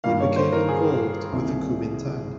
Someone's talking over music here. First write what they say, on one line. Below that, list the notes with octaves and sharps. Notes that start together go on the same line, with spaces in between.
He became involved with the Kuomintang.
G2 D#3 G3 A#3 F5
C#5
C5
A#4
G#4
C2 C3 D#3 A#3